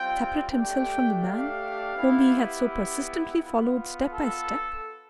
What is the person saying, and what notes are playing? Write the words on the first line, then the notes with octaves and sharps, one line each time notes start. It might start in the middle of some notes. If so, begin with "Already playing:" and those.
Separate himself from the man whom he had so persistently followed step by step!
Already playing: G3 C4 F4 G5
A3 D4 G4 G5
F5
B3 E4 G4
B3 F4
A4